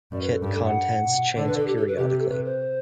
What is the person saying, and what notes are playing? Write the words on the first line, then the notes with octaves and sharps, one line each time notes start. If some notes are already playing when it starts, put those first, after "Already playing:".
Kit contents change periodically.
F#2 D5
B4
A4
G2
A4
F#5
B2
D3 D5
B4
A4
G4
A4
B4
C3 G4
G4
A4
B4
C5